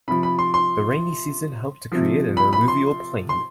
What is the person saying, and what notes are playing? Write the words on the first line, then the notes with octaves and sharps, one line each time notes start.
The rainy season helped to create an Alluvial plain.
C3 F3 B5
B5
C6
C6
C3 F3
B5
B5
C6
C6